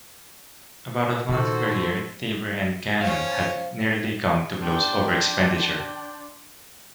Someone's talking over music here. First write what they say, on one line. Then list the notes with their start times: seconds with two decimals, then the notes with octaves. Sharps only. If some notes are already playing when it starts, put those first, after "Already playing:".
About a month earlier Taber and Cannon had nearly come to blows over expenditure.
1.29 A#2 D#3 F#4 A4 C5
3.01 C#4 C5 C#5 F5
4.62 D4 G5 C6 D6